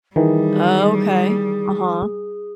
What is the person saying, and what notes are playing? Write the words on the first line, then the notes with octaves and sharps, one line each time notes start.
Okay, uh-huh.
D#3 E3 G3 G#4